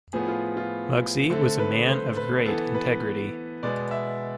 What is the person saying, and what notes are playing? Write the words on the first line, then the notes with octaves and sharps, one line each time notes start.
Muggsy was a man of great integrity.
A2 F3 B3 G#4
F4
F4
D3 A3 C4 A4
B4
C5
B4
E3 B3 A4
B4
B2 G#3 B3 D5
E5